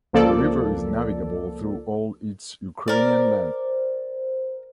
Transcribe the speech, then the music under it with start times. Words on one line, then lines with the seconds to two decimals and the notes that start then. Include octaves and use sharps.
The river is navigable through all its Ukrainian length.
0.13 C#2 F3 A#3 A4 D5
2.88 A#4 C5 D5